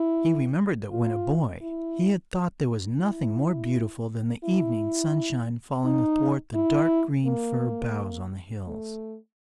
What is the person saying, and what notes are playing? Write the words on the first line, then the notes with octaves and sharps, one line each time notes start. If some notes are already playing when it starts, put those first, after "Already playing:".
He remembered that when a boy he had thought there was nothing more beautiful than the evening sunshine falling athwart the dark green fir boughs on the hills.
Already playing: E4
F4
E4
E4
E4
D#4
E4
A#3
A3